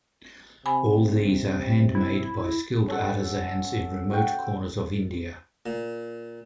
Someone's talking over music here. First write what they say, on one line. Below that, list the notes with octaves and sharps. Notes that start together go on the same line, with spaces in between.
All these are handmade by skilled artisans in remote corners of India.
C3 G#5 B5
E4
C#4 A4 F#5
F#4 G5
A#2